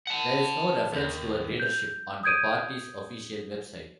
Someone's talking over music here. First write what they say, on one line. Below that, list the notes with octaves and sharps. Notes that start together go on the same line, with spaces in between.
There is no reference to her leadership on the party's official website.
F#5 A5
D#2
G6
D#6 G6 G#6 D7 D#7